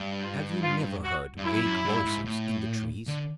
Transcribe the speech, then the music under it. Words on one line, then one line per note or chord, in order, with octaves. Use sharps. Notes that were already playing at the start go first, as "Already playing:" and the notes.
Have you never heard vague voices in the trees?
Already playing: G2
F4
F4
F#4
G2
F#2 E4
F#2
G2
G#2
A2
D3